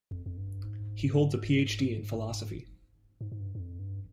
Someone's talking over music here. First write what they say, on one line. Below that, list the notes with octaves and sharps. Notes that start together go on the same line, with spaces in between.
He holds a PhD in philosophy.
F2
F2
G2
G#2
G#2
G#2
G2
G2
F2
G2